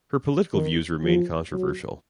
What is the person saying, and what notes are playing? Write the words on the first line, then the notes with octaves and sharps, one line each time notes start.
Her political views remained controversial.
D#3
F3
F#3